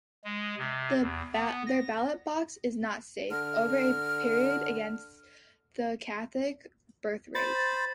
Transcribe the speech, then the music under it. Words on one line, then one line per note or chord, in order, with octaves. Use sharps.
Their ballot box is not safe over a period against the Catholic birth-rate.
G#3
C3
E2
B3
A#6
D3 F6
C5 B5 A6